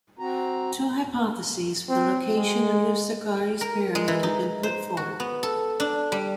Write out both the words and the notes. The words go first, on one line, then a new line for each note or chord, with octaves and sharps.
Two hypotheses for the location of Userkare's pyramid have been put forth.
C4 F#4 A#5
C4
G#3
A#4
G#3
E3
D#4
C5
F#4
B3
A4
D4
G3